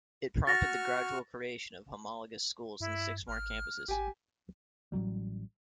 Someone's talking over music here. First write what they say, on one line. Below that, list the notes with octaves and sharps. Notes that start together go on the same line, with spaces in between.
It prompted the gradual creation of homologous schools in six more campuses.
F#4 C#6 F6 A6 A#6
G2 E4
G#1 F6
G#1 G4 G#5
A1 C#3 F#3 G3